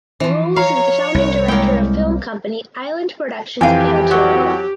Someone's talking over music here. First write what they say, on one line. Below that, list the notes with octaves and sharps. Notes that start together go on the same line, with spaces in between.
Rolls is the founding director of film company Island Productions Aotearoa.
E3 F3
C#5 F5 A#5
C2
G#3 A#3 E4 G5
F2 E3 G4 F5 G5 G#5
F#3 F#4